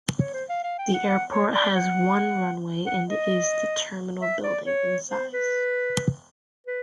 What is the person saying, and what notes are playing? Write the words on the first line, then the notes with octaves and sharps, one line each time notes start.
The airport has one runway and is and the terminal building, in size.
C#5
C5
F5
F5
G5
F#5
F#5
C#5
D5
F#5
F#5
D#5
E5
D5
C#5
C5
B4
B4